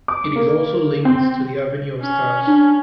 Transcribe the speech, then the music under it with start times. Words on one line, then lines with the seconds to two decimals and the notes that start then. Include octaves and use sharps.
It is also linked to the Avenue of Stars.
0.08 D6
0.36 A#3
1.05 C4
2.01 C#4
2.47 D4